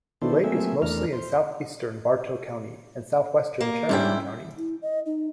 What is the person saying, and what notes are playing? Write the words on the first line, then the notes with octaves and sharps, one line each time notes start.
The lake is mostly in southeastern Bartow County and southwestern Cherokee County.
D#3 B3 D4 E4 A4 C5
F#3 A3 A#3 C4 G#4 E5
E2 A3 D4 A#4 F6
C5
A#3
G#2 G3 C#4 D4 E4 G5
E4
D#5
D#4